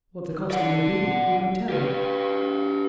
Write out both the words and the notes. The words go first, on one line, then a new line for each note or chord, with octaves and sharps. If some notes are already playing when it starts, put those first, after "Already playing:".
What the cost may be, who can tell?
D5 F#5
G4 B4